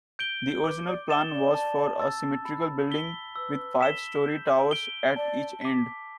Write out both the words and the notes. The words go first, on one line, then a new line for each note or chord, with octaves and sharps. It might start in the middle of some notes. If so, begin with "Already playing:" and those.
The original plan was for a symmetrical building, with five-storey towers at each end.
G6 D7 G7
B4 D6
D5
E5 A6 E7 G7
D5
A5
E6 A6
B5
E6 B6 G7
B4 E6
B6 E7 G7
G6
D7 G7
D5 A5
D6 B6